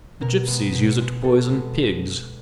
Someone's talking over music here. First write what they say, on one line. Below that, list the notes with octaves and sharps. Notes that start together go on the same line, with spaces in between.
"The gipsies use it to poison pigs."
B2 A#4
G#3 B3
B2
G#3 B3
B2 A4
G#3 B3